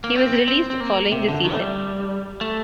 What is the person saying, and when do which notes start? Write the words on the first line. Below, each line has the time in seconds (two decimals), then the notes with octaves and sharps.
He was released following the season.
0.04 A#3
0.15 C4
0.48 C4
0.70 C4
0.80 A#3
1.12 C3
1.28 D3
1.44 D#3
1.53 A3
1.60 G3
2.41 A3